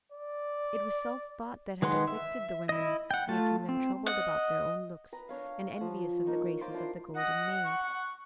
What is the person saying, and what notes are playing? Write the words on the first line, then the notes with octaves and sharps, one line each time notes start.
It was Self-thought that had afflicted the women, making them troubled about their own looks, and envious of the graces of the Golden Maid.
D5
D#3 G#3 B4 F#5 C6
E5
E4 D#5
F#5 G5
A3 F4 A5
C4
D#5 F#5
B4 A#5
D4 C#5 F5
F3 F#5
A#3 D#4 C#6
F4 A#4 C5 D6
D4 E4 C5
D#5 F#5
C#6